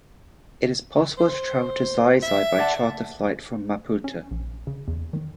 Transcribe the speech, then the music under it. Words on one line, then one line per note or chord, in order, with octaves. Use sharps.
It is possible to travel to Xai-Xai by charter flight from Maputo.
C5
E5
D5 F#5 A5
C#4
A#1
C#3
E2
D#3